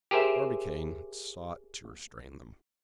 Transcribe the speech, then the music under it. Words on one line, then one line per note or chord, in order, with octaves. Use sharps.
Barbicane sought to restrain them.
G4 G#4 A#4 C5 E5